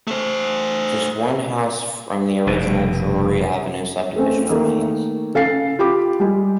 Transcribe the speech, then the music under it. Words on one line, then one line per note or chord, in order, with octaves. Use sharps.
Just one house from the original Drewry Avenue subdivision remains.
A3 C5
F1 B2
A3 C4 C#4
D#3 A3 A#3
C#3 A4 F5 A6 C7
F4 G4 B5 D6
G3 G#3 G4 G#4